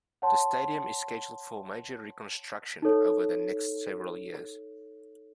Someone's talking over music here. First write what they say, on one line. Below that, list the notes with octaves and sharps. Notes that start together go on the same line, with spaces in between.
The stadium is scheduled for major reconstruction over the next several years.
C#5 F#5 A5 C6
D#4 A4 C#5